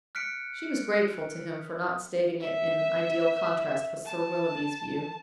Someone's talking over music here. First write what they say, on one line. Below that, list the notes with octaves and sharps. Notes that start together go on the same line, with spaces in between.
She was grateful to him for not stating it in ideal contrast with Sir Willoughby's view.
F6 F#6 B6 C#7 D7
E5
A5